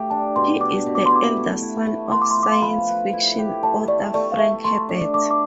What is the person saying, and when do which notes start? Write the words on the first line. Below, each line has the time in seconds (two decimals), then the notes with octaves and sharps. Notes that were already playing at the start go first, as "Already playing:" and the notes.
He is the elder son of science fiction author Frank Herbert.
Already playing: A3 G4
0.10 D4 A5
0.36 B2 C6
0.60 D4 D6
0.86 B2
0.95 D6
1.06 E4 C6
1.16 D6
1.37 A3
1.62 E4
1.86 A3
2.12 B3 C6
2.22 D6
2.31 C6
2.37 F4
2.43 D6
2.52 C6
2.62 F3 B5
2.88 B4
3.13 E4
3.38 G4
3.63 A3 A5
3.88 A3 D5
4.14 A3 D5
4.32 F5
4.38 A3 E5
4.64 A3 C6
4.89 D4
5.14 A3 D6
5.31 D6